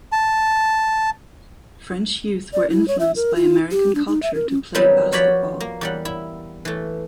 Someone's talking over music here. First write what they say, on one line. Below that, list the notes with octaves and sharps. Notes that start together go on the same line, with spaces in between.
French youth were influenced by American culture to play basketball.
A5
D5
E4
C#5
E5
A#4
F4
G4
D4
D#4
E5
A#4
C#4
D#3 F#3 G3 B3 C4 D#4
F3 F#4 C#5 D5 B5
A#3
E2 G3 F#5
E4
E3 A3